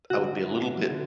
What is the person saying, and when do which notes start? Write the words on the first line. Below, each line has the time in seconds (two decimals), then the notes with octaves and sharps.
I would be a little bit
0.10 D3 F#4
0.37 E4
0.64 B3
0.90 D3